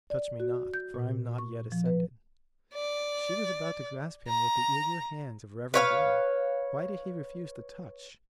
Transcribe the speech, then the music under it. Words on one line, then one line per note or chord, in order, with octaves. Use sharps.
"Touch me not, for I am not yet ascended." She was about to grasp him with the eager hands of reverent love: why did he refuse the touch?
D5
F#4
G6
A#2
C#6
F3
B4
D5
A#5
B4 C#5 F5